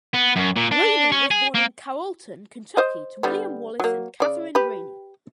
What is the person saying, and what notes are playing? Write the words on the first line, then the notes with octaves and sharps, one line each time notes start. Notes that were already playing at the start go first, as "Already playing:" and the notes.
Raney was born in Carrollton, Kentucky, to William Wallace and Katherine Raney.
B3
F#2
A#2
D4
C#4
G#4
A#3
C5 D#5
D3 G3 B3
F#3 A#3
C#3 D5
G4 B4